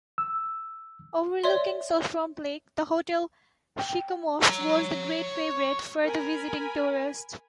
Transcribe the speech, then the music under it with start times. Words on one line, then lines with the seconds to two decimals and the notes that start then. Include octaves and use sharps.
Overlooking Shuswap Lake, the Hotel Sicamous was a great favourite with the visiting tourist.
0.18 E6
1.44 C#5 D5 E5 C6
3.79 G5
4.43 C#5 A#5
6.05 A#4 G#5 B5